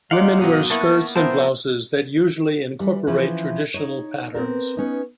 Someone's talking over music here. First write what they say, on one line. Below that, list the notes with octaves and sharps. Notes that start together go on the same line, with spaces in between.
Women wear skirts and blouses that usually incorporate traditional patterns.
G#3 D#4 F4 F5 F#5 D6
G#2 B2 F#3 D#6
A#3 B3 E4 A5 C#6
F3 B3 C4 E4 A#4 C5 G5 A5
E3 G3
E3 F3 C#4 E4 F4
D#4 C#5
B3 C4 A4 A#4
B3 C#4 D#4